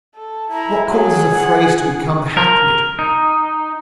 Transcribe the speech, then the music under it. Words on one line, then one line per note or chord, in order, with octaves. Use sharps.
What causes a phrase to become hackneyed?
A4
E4 A#5
F#3 G#4
F#5
A#4
D#4